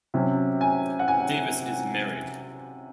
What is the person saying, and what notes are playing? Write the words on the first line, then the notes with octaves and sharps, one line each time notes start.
Davis is married.
C3 F#3 C#4
G#5
F#5
G#5